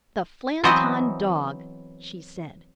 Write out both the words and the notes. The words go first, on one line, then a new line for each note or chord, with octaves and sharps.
"The Flanton Dog!" she said.
E3 F#3 B3 C4 C5 D#5